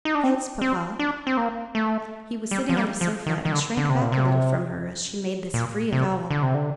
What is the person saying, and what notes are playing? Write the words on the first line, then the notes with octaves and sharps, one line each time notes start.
"Yes, papa." He was sitting on a sofa and shrank back a little from her as she made this free avowal.
D#4
D4
C4
C4
D4
C4
A#3
A3
G3
F3
G3
F3
D#3
D#3
D3
D3
C3
A#2
C3
A#2
C3
D3
C3
D3